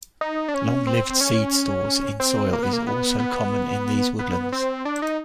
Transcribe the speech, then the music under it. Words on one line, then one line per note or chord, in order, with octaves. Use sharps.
Long-lived seed stores in soil is also common in these woodlands.
D#4
D4
C#4
C4
C4
C#4
C4
A#3
B3
A#3
B3
B3
B3
C4
D4
D#4